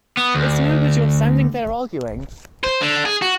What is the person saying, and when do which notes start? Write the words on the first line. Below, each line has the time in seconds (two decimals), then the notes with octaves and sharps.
It's no good your standing there arguing.
0.17 B3
0.35 D2
2.64 C5
2.81 D3
3.06 G#4
3.22 F#4